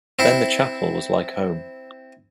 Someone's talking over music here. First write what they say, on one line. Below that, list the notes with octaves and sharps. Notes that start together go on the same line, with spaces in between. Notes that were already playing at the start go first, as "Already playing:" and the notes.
Then the chapel was like home.
C4 E4